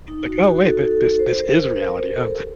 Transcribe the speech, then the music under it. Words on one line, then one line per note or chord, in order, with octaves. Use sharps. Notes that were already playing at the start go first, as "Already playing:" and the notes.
Like, "Oh wait th this this is reality, huh?"
D#4
F#4
F#4
A4
A4
C5
A#4
C5
A#4
C5
A4
G4